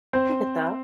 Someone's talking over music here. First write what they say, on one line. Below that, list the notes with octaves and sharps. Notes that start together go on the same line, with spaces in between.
I get that.
C4 C5